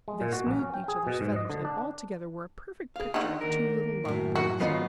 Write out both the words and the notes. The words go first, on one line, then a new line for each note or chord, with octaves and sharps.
They smoothed each other's feathers and altogether were a perfect picture of two little lovebirds.
G#3
A#2
F#4
A#1
C#4
G5
G#4
B2
G#2
D#5
D3
D4
G#4 F5
D3 D#3 F#5
D#2 A#4
F#2 A2
F#4
G#1 F#2 F#3 B3 F4 D#5 C7